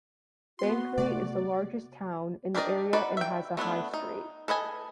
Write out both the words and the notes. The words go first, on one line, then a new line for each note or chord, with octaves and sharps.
Banchory is the largest town in the area and has a High Street.
B3 F#4 C6
C3 A3 B3 D5
D4 G4 A#4 D5 D#5
D#4 F#4 B4 D5
E5 G5
A3 B3 D4 E4
D#4
A4 B4 D#5 G#5